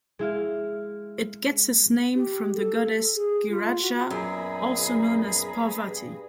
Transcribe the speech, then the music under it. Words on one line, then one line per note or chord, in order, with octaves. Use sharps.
It gets its name from the goddess Giraja, also known as Parvati.
G#3 E4 F5
G4
A4
G#4
F4
F#4
F#2 A#2 B3 G#4 A#5 B5
G2